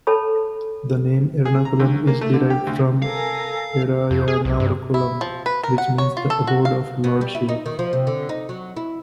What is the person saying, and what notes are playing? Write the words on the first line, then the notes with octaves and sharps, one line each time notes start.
The name "Ernakulam" is derived from "Erayanarkulam" which means the abode of Lord Shiva.
A4 C#5 A5 B5
G#4
A#5
D2
A#3
A3
D3
G4
D2
A4 A#4 F5 G#5 A#6
F2
G#4
B1
G2
E4
F3
B4
A#4
F#5
C#5
F4
A4
F#4
F5
B2
G3
E4
D#4
D#3
F3
C3
D3
D#4
F#3
E4